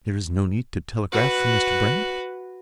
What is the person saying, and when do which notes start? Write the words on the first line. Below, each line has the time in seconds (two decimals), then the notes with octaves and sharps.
"There is no need to telegraph for Mr. Brand?"
1.12 F#4 B4